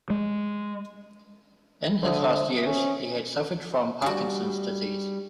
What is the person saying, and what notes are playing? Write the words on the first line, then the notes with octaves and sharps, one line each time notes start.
In his last years he had suffered from Parkinson's disease.
G#3
D3 C5 E5 D#6
C#4
G3 D4 F#4